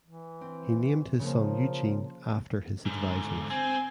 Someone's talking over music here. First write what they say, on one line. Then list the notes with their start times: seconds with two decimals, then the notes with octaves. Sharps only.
He named his son Eugene after his advisors.
0.05 E3
0.41 C4
1.19 C#3 F3 A#3
2.85 G#2 D3
3.50 C4 G#5